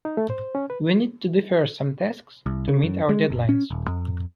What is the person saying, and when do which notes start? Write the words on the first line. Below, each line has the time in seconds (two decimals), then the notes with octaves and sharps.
We need to defer some tasks to meet our deadlines.
0.05 D#4
0.17 A3
0.30 C5
0.55 C#4
0.70 B4
2.46 C2
2.68 C#3
2.83 F#2
3.09 G#3
3.30 F#1
3.49 C#4
3.71 D#1
3.88 F2